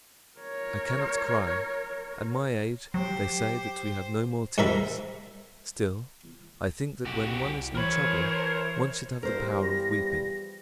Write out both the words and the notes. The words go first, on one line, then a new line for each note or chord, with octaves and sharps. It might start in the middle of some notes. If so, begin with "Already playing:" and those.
I cannot cry; at my age they say that we have no more tears,--still I think that when one is in trouble one should have the power of weeping.
A#4 C#5
F#3 G4 C5 G5
G#2 G3 A#4 E5 A#5 B5
C2 F#4 G4
E3 A#4 C5 C#5 B5
E2 F3 G3 A#4 C5 A#6